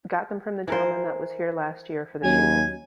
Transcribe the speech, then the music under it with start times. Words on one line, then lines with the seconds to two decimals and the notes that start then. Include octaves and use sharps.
Got them from the gentleman that was here last year for the shooting.
0.68 E3 A#4 C5
2.23 D#2 F#3 C#4 G#5